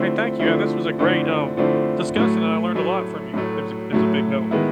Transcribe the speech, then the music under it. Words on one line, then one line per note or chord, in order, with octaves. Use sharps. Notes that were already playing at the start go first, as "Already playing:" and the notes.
Hey, thank you, yeah, this was a great, um, discussion, and I learned a lot from you. It was a g it was a big help.
Already playing: D3 F3 A3 C4 E4
D3 F3 A3 C4 E4
D3 F3 A3 C4 E4
D3 F3 A3 C4 E4
A2 F#3 A3
A2 F#3 A3
A2 F#3 A3
A2 F#3 A3
D#3 G#3 B3 E4